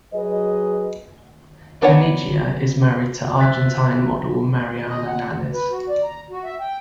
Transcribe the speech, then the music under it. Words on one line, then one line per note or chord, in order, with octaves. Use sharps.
Caniggia is married to Argentine model Mariana Nannis.
F#3 G#4 B4 D#5
B3 D4 B4 C#5 F#5
C5 E5 F#6 A6 B6
D#5
F#5
D2
B4
F#4
D5
A#5
F#4
E5
G5